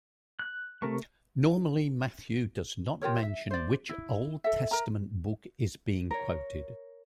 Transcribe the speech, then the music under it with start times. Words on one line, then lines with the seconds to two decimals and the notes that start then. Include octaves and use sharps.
Normally Matthew does not mention which Old Testament book is being quoted.
0.39 F#6
0.82 C3 A3 A#4 C#6
3.01 F4 G4 A#4 C#5
3.23 E5
3.50 C5 D5
3.89 E4
4.44 A4 E5
4.71 A#4 A#5
6.11 A#4 C#5